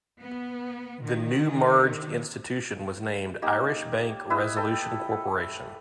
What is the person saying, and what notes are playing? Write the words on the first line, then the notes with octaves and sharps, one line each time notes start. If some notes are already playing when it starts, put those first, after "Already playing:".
The new merged institution was named Irish Bank Resolution Corporation.
B3
D#3
A#3 D#4 G4
E4 B4 D#5 E5
A4 G5